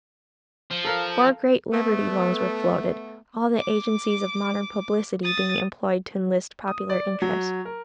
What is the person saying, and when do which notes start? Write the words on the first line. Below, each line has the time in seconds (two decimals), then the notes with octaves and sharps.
Four great Liberty Loans were floated, all the agencies of modern publicity being employed to enlist popular interest.
0.71 F3
0.85 A4 A#4 F5
1.71 A3 B3
3.59 D6
5.23 D#6 A6
6.68 D#6
6.90 D5
7.22 F#3
7.65 A#4